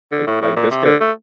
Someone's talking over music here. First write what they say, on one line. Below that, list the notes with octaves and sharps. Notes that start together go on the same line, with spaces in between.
Like like, Discor
D3
A2
A2
A#2
C3
D3
A3